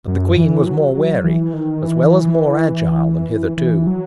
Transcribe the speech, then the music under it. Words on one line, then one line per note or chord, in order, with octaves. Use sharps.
But the queen was more wary as well as more agile than hitherto.
F#2
E3
F#3
F#3
E3
D#3
E3
E3
F#3